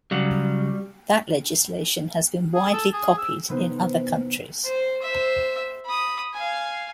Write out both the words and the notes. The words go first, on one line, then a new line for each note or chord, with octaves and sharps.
That legislation has been widely copied in other countries.
C#3 F#3 G3
G#4
A4
G#4
E6
C3 E3 B3 D#4 B4 C5
C5
C5 E5
B5 D#6
F5 G#5